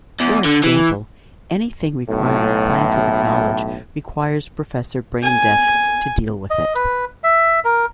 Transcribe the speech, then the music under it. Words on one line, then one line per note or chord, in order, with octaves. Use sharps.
For example, anything requiring scientific knowledge requires Professor Braindeath to deal with it.
E2
D3
E3
B1 A2
G#5
D#5
B4
E5
A#4